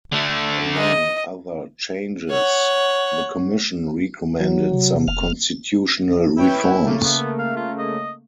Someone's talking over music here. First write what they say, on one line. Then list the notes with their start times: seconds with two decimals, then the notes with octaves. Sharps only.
Among other changes, the Commission recommended some constitutional reforms.
0.13 D3 A3
0.77 D#5
2.31 C#5 F#5
4.40 F#3
4.72 C3
5.08 F1 F6
6.37 E4 B4 C#5 G5
6.84 C#3 A3 A#3
7.03 B3
7.39 F5
7.56 F4
7.79 D#5